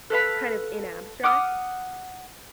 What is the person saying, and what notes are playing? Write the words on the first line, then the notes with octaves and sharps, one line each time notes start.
kind of in abstract.
A4 B4 F5 B5
F#5 D6 D#6 F6